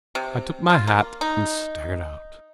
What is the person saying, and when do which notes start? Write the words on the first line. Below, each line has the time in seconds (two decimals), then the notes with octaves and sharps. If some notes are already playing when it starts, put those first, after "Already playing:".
I took my hat and staggered out.
0.15 C3
0.70 F4
0.87 A#3
1.21 D#4